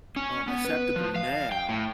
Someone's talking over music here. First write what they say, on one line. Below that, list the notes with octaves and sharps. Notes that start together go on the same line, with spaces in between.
um, acceptable now
C#4
B3
B4
F3
F5
G5
A2